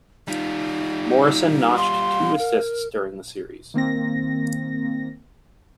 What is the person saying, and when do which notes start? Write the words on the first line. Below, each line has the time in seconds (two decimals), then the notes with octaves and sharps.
Morrison notched two assists during the series.
0.28 G3 D#4 F4
1.77 F5 C6
2.39 A#4
3.74 D#3 A#3 C4 A#6